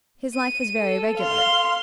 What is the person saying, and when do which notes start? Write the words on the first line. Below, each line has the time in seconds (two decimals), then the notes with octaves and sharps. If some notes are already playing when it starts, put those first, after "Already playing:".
His life was very regular.
0.33 D#7
0.79 A4
1.18 F5 C6